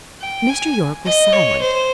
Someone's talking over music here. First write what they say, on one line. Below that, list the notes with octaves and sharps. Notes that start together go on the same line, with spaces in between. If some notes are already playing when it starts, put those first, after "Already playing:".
Mr. Yorke was silent.
G5
G#5
D#5
C#5
C5